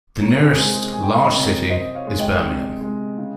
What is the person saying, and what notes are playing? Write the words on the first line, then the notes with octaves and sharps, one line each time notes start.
The nearest large city is Birmingham.
C3 A#4 C#5
G#4 C5
G#3 G#4 C5
G#4
G3 G#5
G5
F5
D#5
C3 A#4 C#5
C3 C5 D#5
C#5 F5
G#3
D#5 G5
C3
G#3
C#3